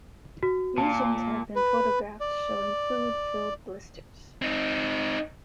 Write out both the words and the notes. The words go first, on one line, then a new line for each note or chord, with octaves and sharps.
Lesions have been photographed showing fluid-filled blisters.
F#4
A#2 A5
B4
D5
C4 D#4